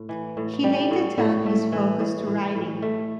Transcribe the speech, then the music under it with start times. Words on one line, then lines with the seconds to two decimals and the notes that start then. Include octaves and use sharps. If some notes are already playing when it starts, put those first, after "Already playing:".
He later turned his focus to writing.
Already playing: A2
0.09 E3
0.37 A2
0.64 G3
0.91 A2
1.18 A2
1.46 A3
1.72 E3
2.00 A2
2.27 A2
2.55 A2
2.82 A3